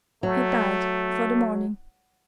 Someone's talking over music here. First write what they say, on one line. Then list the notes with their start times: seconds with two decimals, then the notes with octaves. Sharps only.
He died before the morning.
0.23 F#3 A3